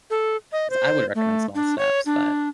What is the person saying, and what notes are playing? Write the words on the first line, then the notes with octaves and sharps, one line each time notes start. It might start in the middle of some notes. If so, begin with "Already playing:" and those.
'Cause I would recommend small steps, but
A4
D#5
C5
A3
D4
C#5
D4